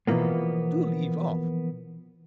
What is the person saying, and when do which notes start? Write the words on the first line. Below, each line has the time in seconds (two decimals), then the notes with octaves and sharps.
Do leave off!
0.07 B2 E3 F3 A#3 B3